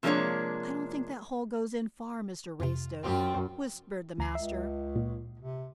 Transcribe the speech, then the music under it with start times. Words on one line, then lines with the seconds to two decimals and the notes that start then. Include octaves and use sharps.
"I don't think that hole goes in far, Mr Raystoke," whispered the master.
0.03 C3 F3 G#3 A#3 D4 C#5
2.60 F2 C3 F4
3.03 F#2 C4 F4 G4
4.18 D2 A#5 C7
4.35 C#2 E5
4.96 A#2
5.39 C3